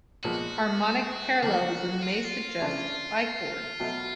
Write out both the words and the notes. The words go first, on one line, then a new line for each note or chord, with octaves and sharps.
Harmonic parallelism may suggest bichords.
A#2 F3 G#3 B3 F#4
D3 F3 A#3 F#4
F4
F#4
F4
C#3 F3 A3 D4
B2 F#3 A3